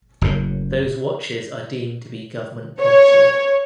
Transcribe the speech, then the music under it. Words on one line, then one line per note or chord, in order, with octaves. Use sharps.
Those watches are deemed to be government property.
F#1 F#2 A2
C#5